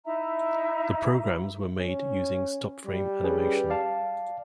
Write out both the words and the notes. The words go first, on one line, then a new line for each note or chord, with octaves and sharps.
The programmes were made using stop-frame animation.
D#4 E4 E5 A#5
C#4
G3
C#4 G#4 B4
D5 F5 A5